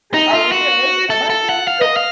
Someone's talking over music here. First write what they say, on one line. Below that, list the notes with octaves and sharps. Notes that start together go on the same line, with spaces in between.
Are we good? Am I good?"
D#4
F4
F#4
A4
A4
F#5
F5
D#5
F5